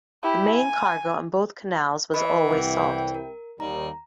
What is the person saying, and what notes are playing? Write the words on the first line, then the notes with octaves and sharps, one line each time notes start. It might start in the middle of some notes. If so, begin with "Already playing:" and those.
The main cargo on both canals was always salt.
E4 G4
G#5
E3 D#5 B5
C2 E4 E5 F#5 G5 D6
A#4
D#2 G3 A#5